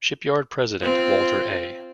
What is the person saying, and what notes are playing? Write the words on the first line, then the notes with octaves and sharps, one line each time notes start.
Shipyard president Walter A.
C4 F4